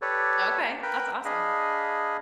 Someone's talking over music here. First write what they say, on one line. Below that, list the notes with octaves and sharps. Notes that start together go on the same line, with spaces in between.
Okay, that's awesome.
G4 A4 B4 C#5 D5
A#4 B4 G5 B5
D4 G#4 D#5 F5 B5